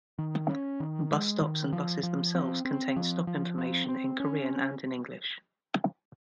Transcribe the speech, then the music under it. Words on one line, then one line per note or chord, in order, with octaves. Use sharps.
Bus stops and buses themselves contain stop information in Korean and in English.
D#3
C#4
D#3
G#3
D#3
F3
F3
C4
C4
F3
F3
C4
C4
C#4